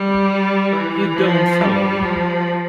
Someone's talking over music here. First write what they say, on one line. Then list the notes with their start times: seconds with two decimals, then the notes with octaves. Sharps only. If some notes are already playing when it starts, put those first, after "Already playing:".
You don't follow.
Already playing: G3
0.72 E3
1.17 F3
1.61 G3
2.05 F3